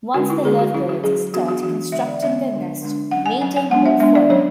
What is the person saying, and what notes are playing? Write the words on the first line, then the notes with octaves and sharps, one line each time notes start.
Once the lovebirds start constructing their nest, mating will follow.
D3 G#3 C#4 F#4
E4
D3 G#3 C#4 G#4
F#4
F#3 C#4 E4
F#4
F#3 C#4 G#4
E3 B3 D4 F#4
F#4
E3 B3 D4 F#4
D3 G#3 B3 E5
D5
D3 G#3 B3 E5
D3 G#3 D4
D3 G#3 D4
F#3 C#4 F#5
G#5
F#3 C#4 G#5
G#5
G#3 B3 D4 F#5
E5
G#3 B3 D4 E5
D5
F#3 C#4 C#5